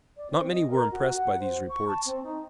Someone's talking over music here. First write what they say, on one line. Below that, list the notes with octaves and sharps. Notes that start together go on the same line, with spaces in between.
Not many were impressed by these reports.
D5
C4
D#5
A#4
F#4
F#5
C5
C#6
A5
C4
D#4